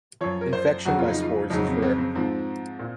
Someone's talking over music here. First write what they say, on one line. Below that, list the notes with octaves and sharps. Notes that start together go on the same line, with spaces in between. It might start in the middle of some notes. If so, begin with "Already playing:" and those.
Infection by spores is rare.
F#2 F3 C#5
A#4
C5
F2 C#3 F#3 F#4
F4
D#4
F4
F2 C#3 F#3 D#4
C4
A#3
C4
C4
G#2 F3 C4
A#2